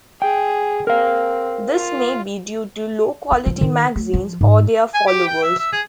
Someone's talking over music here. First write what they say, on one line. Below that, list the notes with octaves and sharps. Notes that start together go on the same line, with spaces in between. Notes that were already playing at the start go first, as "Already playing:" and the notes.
This may be due to low quality magazines, or their followers.
G#4 G5
C4 A#4 F5
F4
E4
F3
D#3
A3
F3
G#2
G#5
G4
G5
E5
E5
G#4